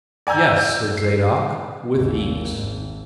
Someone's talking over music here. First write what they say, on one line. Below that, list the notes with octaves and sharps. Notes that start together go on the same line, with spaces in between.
"Yes," said Zadok, "with ease."
D5 G#5 A#5 E6 G6
G6
C7
G#1 D#2
G#1